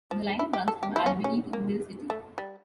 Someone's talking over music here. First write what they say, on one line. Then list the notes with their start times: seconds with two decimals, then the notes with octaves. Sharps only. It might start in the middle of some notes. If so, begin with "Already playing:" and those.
The line runs from Albany to Mill City.
0.11 F3
0.39 E4
0.53 G4
0.68 A4
0.83 G4
0.96 E4
1.06 C#4
1.24 C#4
1.53 A#3
2.10 A3
2.38 G3